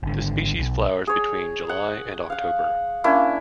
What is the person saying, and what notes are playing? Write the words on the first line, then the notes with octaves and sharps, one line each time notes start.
The species flowers between July and October.
G#1 D3
B1
G#4 C#5
F#5
F5 F#5
A#3 C#4 D4 E4